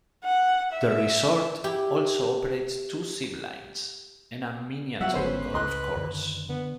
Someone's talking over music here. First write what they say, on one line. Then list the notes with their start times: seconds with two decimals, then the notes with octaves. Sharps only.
The resort also operates two zip lines and a miniature golf course.
0.24 F#5
0.73 E5
1.64 E4 G4
5.01 F#3 G3 F#4 E5 F#5
5.13 G#1 D3 B3 C#4 B4 C5
5.54 C#2 D#5 C6 F#6
5.96 F#2 D3 D#3
6.49 D3 B3